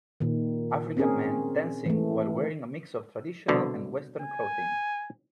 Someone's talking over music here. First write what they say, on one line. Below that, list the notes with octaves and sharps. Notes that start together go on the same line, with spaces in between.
African men dancing while wearing a mix of traditional and western clothing.
A#2 D#3
C4 C#4 G#4 A#4
E3 A3
C2 B2 D3
G#5